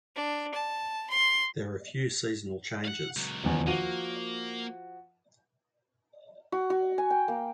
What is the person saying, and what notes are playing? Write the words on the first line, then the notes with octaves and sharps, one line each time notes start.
There are few seasonal changes.
D4
A5
C6
F5 F#5
C#2 F#3
D#1 E2
F3 A#3 F#4 D#7
F#4
F#4
G#5
G5
A#3